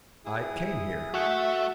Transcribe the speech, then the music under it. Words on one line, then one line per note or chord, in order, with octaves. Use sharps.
I came here.
E4 G#4 D#6
A3 F#4 E5 F#5